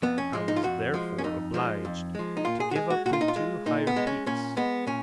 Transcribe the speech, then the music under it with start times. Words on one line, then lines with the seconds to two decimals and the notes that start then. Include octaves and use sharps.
I was therefore obliged to give up the two higher peaks.
0.02 F2 B3
0.18 C#4
0.33 F3 G#3
0.48 D#4
0.56 F4
0.63 F2 F#4
0.94 F3 G#3
1.18 C#4
1.24 F2 D#4
1.54 F3 G#3
1.85 F2
2.15 F3 G#3
2.37 D#4
2.45 A#2 F4
2.60 G#4
2.71 F#4
2.75 G#3 G#4
2.90 F#4
3.06 A#2 F#4
3.13 F4
3.21 D#4
3.28 F4
3.36 G#3
3.66 A#2 D#4
3.87 B3
3.96 G#3
4.07 C#4
4.26 A#2 C#4
4.57 G#3 B3
4.87 A#2 C#4